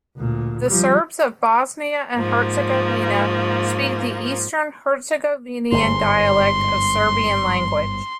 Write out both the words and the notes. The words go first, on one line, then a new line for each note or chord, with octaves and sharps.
The Serbs of Bosnia and Herzegovina speak the Eastern Herzegovinian dialect of Serbian language.
D2 A#2
F3 G3
G#2 F3 A#3
G1 G#2 C6